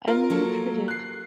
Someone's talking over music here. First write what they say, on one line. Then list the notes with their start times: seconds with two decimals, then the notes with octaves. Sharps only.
a new tradition.
0.07 F4 A#4
0.30 F#3 A#3 A4
0.88 F#6 C7